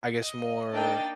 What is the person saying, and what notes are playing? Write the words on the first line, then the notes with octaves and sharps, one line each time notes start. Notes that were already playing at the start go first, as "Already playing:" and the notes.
I guess, more
D#5
A#3 D4 D#4 D#5 G5 A6